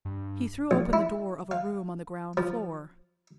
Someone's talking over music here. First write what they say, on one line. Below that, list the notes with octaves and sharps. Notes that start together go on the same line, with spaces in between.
He threw open the door of a room on the ground-floor.
G2
A#1
E4
F5
F3